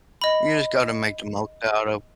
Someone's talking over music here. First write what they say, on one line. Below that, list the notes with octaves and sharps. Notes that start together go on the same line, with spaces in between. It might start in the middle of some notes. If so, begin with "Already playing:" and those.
you just gotta make the most out of
D#5 B5